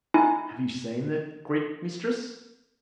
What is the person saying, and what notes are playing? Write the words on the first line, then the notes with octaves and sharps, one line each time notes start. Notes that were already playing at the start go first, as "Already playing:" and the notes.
"Have you seen the Greek mistress?"
D#4 E4 G#5